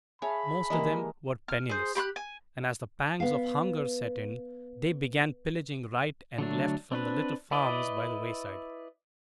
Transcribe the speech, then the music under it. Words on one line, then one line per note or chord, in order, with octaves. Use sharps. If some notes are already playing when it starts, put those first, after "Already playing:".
Most of them were penniless, and, as the pangs of hunger set in, they began pillaging right and left from the little farms by the wayside.
G#4 C#5 E5 F5 A5 B5
E3 G3 G#3 A#3 A#4 D#5
F6
G#4 C5
G4 B5 C6 F#6
G#5
B3 F5
D3 F#3 A3 D4
C4 D4 B4
E4 B4 D5 D#5